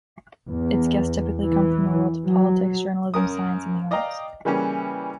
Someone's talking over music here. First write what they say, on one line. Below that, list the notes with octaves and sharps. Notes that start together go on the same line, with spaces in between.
Its guests typically come from the worlds of politics, journalism, science and the arts.
E2
E3
F#3
F#2 A#4 D#6
D5 D#5 F5 G5 A#5
C#3 E3 G3 A#3 C#4